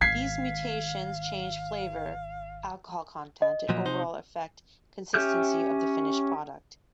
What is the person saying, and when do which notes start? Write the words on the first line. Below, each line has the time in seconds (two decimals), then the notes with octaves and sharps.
These mutations change flavor, alcohol content, and overall effect consistency of the finished product.
0.01 G#1 D#3 F5 G#6 B6 C7
3.42 D#5
3.69 A#2 F3 F#3
3.86 C3 D#4 C5
5.14 C#4 G4 E5 F6 G6